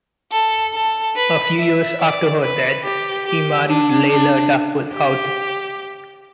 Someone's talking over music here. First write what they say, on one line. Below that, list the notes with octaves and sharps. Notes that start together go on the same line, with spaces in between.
A few years after her death, he married Leila Duckworth Houghton.
A4
A4
B4
E5
D5
B4
G4
G4
D4
D4
G4